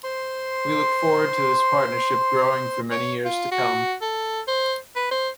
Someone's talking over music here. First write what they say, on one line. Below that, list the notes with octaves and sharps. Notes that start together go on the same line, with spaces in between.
We look forward to this partnership growing for many years to come.
C5 C6
C#5
F4
F#4
A4
C5
B4
C5